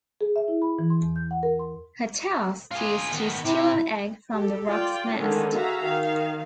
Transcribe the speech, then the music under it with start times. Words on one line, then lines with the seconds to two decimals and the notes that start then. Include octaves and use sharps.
Her task is to steal an egg from the Roc's nest.
0.21 G#4
0.36 E5
0.48 E4
0.62 B5
0.79 E3
0.90 C6
1.02 E2
1.16 G6
1.31 F#5
1.43 A#4
1.59 C6
2.71 F4 G#4
3.11 D#3 B3
3.45 C3 E4
4.32 G4 A4
4.66 F4 D5 G5
5.15 D3 D#3 G#3 A3 C#4 D4
5.52 F#4 G#4 E5 F5 A#5
5.80 D#3 F5